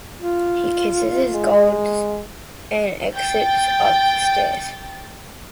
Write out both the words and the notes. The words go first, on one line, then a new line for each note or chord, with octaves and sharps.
He kisses his gold and exits up the stairs.
F4
G#3
G5 A6